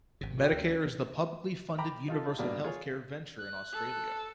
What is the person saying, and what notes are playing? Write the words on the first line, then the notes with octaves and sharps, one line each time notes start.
Medicare is the publicly funded universal health care venture in Australia.
G#1 C3
F#4 F#5 G5
D2
C#4 B4
G5 A#5 B5 D6
D#4 F4 A4
G2 B2 A#3 D4
F4 G#4 C#5
F#6
A4